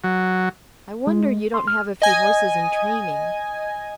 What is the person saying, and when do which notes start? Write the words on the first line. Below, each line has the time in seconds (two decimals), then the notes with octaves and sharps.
"I wonder you don't have a few horses in training."
0.04 F#3
1.07 G#3
1.54 C6
1.68 F6
2.02 D#5 G#5